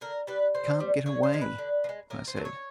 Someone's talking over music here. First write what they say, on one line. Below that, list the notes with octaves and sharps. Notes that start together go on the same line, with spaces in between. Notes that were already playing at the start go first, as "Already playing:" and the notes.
"Can't get away," I said.
D3 A#4
G3 B4
D3 C5
G3
D3 C#5
C5
F3 G#3
B4
D3
F3
G#3
A2 A#4
C5
F#3 A3
C#5